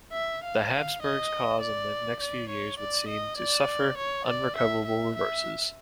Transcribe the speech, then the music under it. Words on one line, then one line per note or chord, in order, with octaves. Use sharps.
The Habsburg cause in the next few years would seem to suffer unrecoverable reverses.
E5
F5
F5
D#5
D5
D5
C#5
D5
D#5
D5
C#5
D5
E5
E5
E5